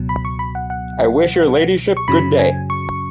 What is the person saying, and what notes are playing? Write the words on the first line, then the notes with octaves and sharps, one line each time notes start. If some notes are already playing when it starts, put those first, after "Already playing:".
I wish your ladyship good day.
Already playing: C#2 B2 F#3
B5
C#6
B5
F#5
F#5
C#6
F#2 C#3 F#3 B5
G#5
C#6